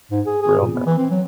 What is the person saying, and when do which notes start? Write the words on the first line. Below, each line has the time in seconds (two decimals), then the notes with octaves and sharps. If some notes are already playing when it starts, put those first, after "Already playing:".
real, now.
0.11 G#2
0.26 G#4
0.42 G#4
0.62 A#2
0.74 B3
0.86 E3
0.98 C4
1.11 F#3